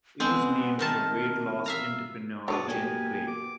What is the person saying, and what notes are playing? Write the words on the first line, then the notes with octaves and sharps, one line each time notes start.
It was named for weight-loss entrepreneur Jenny Craig.
G#3 B3 C4
C3 D#3 A#4 A5
E5 F5 A#5
B1 D3 F#3 G#3 B3 C#5 D5
A#3 G4 G#5
D6